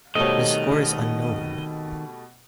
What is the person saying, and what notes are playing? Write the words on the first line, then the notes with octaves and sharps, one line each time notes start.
The score is unknown.
B2 D#3 G3 A3 C4 C#5 D#5